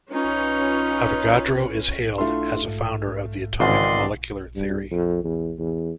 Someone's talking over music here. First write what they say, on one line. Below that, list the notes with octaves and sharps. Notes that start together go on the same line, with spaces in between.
Avogadro is hailed as a founder of the atomic-molecular theory.
C#4 D#4 F4 B4
A3 D4 E4 F4 A4 C6
G#2
G#1 C#3 E3 C4 D5 D#5 C6
G2
F2
E2
E2